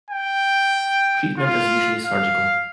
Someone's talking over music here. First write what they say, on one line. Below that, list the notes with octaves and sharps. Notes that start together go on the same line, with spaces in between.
Treatment is usually surgical.
G5
F4
F5